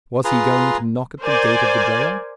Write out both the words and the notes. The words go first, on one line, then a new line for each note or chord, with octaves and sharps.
Was he going to knock at the gate of the jail?
F4 G#4 B4 A#5 C6
A#4 C5 D5 G#5